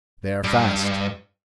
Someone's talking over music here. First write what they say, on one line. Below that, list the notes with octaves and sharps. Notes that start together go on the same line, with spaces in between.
They are fast.
G2